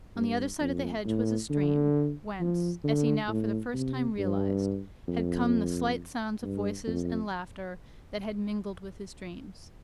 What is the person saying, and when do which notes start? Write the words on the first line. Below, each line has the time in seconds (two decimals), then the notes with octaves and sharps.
On the other side of the hedge was a stream, whence, as he now for the first time realized, had come the slight sounds of voices and laughter that had mingled with his dreams.
0.15 G2
0.60 F2
1.05 A2
1.50 D3
2.40 F3
2.84 D3
3.28 A2
3.74 C3
4.18 G2
5.08 F2
6.42 G2
6.87 F2